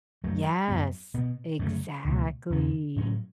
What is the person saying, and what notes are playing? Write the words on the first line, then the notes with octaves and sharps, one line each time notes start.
Yes, exactly.
F#2 F#3 A3
F#2 F#3 B3
B2 B3
F#2 C#3 A3
C#2 B2 A3
E2 C#3 E3 C#4
A2 F#3 C#4